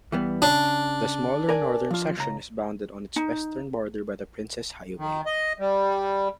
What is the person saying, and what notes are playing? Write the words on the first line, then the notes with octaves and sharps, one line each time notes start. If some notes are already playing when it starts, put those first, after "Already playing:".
The smaller northern section is bounded on its western border by the Princes Highway.
E3 G3 B3
C#3 D4
A#4 D5 G#5
F3 F4
C#2 A#5
D#4
D#3
D#5
G3